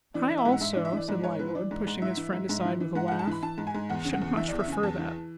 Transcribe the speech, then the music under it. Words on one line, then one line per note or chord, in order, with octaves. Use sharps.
'I also,' said Lightwood, pushing his friend aside with a laugh, 'should much prefer that.'
E3 D5
E3
E5
G#2
F#5
G#2 E5
D5
E3
E5
E3 D5
G#2 D5
G#2 C#5
E3 B4
E3 D5
G#2
G#2
E3 E5
E3
G#2
G#2
E3
E3
G#2 F#5
F#5
G#2
A5
E3 B5
E3 A5
G#2
G#5
G#2
E2 F#5
C#3
F#5
E2
E3 E5
D5
E2
E5
C#3 G#5
E2 A5
E3